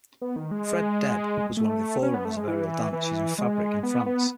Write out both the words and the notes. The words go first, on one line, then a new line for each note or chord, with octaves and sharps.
Fred Deb was one of the forerunners of aerial dance using fabric in France.
B3
D#3
G#3
A3
C#4
B3
A3
G#3
E3
E3
G#3
B3
B3